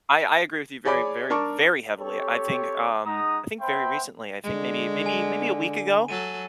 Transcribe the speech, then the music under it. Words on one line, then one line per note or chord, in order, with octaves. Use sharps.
I I agree with you very, very, very heavily, I think, um, I think very recently, I think maybe maybe maybe a week ago,
G#4 C#5 D5 G#5 B5 D6
D4 A#4 A5 C#6 D6
C4 G4 A4 C#5
G#3 D#4 F#5 A#5 D#6
B3 C5 E5 G5 B5 C6
D3 G#3
G#5
F#3 A4 D#7